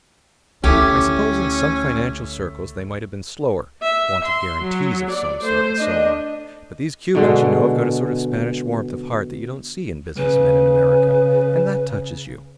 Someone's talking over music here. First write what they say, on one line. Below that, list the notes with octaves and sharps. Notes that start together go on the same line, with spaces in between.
I suppose in some financial circles they might have been slower, wanted guarantees of some sort, and so on, but these Cubans, you know, have got a sort of Spanish warmth of heart that you don't see in business men in America, and that touches you.
D2 A3 C#4 E4 G4
E5
C6
F#3
D5
A3 C5
D4 D#5
B2 D3 G#3
C#3 B4